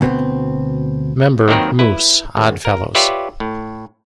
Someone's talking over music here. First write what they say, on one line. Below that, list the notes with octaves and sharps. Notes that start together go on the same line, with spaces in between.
Member, Moose; Odd Fellows.
D2 B2 B3 C4
D#2 D#3 F#3 C4 A#4 B4
E4 B4
G#1
A#4
F4 G4 B4 C#5 D5 E5
A2